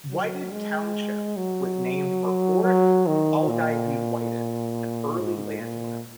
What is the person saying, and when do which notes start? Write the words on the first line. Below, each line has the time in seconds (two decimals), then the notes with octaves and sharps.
Whited Township was named for Oric Ogilvie Whited, an early landowner.
0.10 F#3
0.52 G#3
1.37 F#3
2.64 F#3
3.07 D#3
3.48 A#2
5.19 G#2
5.60 A#2